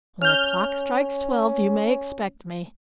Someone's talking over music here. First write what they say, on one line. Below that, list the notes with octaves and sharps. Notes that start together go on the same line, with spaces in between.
"When the clock strikes twelve you may expect me."
C#4 F6 G6